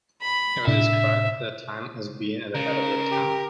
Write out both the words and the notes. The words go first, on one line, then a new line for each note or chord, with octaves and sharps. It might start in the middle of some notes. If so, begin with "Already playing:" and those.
It was described at the time as being at the head of that town.
B5
A2 C3 D4 E5
C#3 A#4
G4